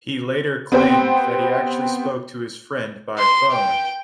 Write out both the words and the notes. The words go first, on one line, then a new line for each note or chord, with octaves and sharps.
He later claimed that he actually spoke to his friend by phone.
B3 C4 G4 C5 G5
C6
G5